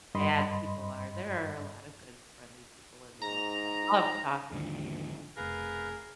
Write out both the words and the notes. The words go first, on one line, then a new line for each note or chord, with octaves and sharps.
bad people are, there are a lot of good friendly people in the world that love talking to you.
G2 D#5 B5 C6
G#2 A#5
D#2 G#2 D3 F3
F1 B2 G#4 A#4 B4 F5